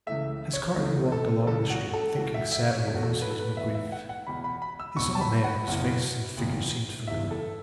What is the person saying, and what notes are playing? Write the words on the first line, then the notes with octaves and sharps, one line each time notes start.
As Carton walked along the street thinking sadly of Lucie's new grief, he saw a man whose face and figure seemed familiar.
C#2 C#3 E3 A3 E5
C#5
C#2 C#3 E3 A3
A4
C#2 C#3 E3 A3 A4
F#4
A4
C#2 C#3 E3 A3 F#4
E5
E5
C#5
E1 E2 B2 A4
F#4
A4
B4
A4
B4
E1 E2 B2 E5
E5
F#5
F#5
E1 E2 B2 B5
B5
B5
E6
E1 E2 B2 C#6
A5
B5
F#5
F#1 E2 E3
F#1 E2 E3
F#1 E2 E3 E5
A4